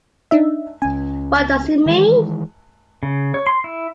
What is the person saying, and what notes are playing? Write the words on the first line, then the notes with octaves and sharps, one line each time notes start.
What Does It Mean?.
D4 D#4 E5
C#2 C#4 G#5
D#3 E3 G#3
C#3
C#5
C6
E4